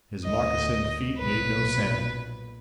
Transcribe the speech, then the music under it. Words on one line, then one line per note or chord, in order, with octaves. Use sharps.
His moccasined feet made no sound.
D2 D#5
B1 A#2 B4